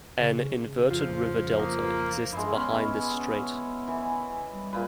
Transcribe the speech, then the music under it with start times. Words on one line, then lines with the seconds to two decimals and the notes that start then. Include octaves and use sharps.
An inverted river delta exists behind this strait.
0.19 C#3
0.91 F2 F3 F4
1.59 A#3 D#6 A#6 B6
2.32 G2 G#3 E4
2.54 B3 C#4
3.88 E3
4.51 G3
4.73 A#2 B4